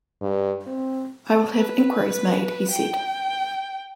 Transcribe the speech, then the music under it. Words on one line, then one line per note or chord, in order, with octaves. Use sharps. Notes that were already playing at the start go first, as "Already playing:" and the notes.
"I will have inquiries made," he said.
G2
C4
B4
G5